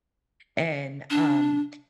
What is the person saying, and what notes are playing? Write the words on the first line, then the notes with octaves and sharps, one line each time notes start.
and, um,
D4